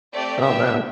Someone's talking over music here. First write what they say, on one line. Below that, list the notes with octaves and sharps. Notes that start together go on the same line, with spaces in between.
Oh man.
A3 C4 G4 D5
B3 D4 G4 E5